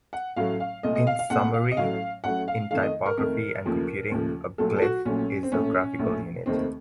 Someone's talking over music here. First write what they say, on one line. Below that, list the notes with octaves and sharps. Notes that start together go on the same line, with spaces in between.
In summary, in typography and computing, a glyph is a graphical unit.
F#5
A1 A2 F#3 A3 F5
F5
C2 A#2 A3 D#5
D#5
F5
F5
C2 A#2 A3 F#5
F5
D#5
A1 A2 F#3 A3 F5
A1 A2 F#3 A3 F#5
F5
F2 D#3 A3 F5
D#5
A#4
F2 D#3 A3 A#4
D#2 C#3 F3 A3
D#2 C#3 F3 A3
A#1 A#2 F#3 A3 A4
A4
F#4
A#1 A#2 F#3 A3 C#4
C4
A#1 A2 A3 C#4
A#1 A2 A3
F1 D#2 D#3 A3 C4